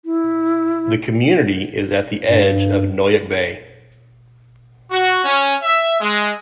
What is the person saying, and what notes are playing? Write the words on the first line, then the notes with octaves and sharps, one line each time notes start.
The community is at the edge of Noyac Bay.
E4
G2
F#4
C#4
E5
G#3